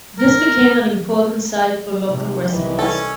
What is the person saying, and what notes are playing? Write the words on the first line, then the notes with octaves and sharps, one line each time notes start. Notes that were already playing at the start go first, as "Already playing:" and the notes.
This became an important site for local residents.
A#4
G#2 C3
C2 D#3 E3
C#4 A4